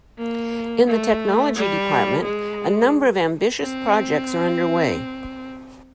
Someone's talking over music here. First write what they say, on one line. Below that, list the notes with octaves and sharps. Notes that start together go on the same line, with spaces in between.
In the Technology Department, a number of ambitious projects are underway.
A#3
A3
G3
G#3
C4